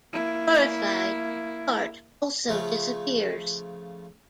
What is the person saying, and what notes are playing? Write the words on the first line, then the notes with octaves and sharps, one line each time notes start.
Horrified, Gart also disappears.
A#3 E4
C#3 F3 A3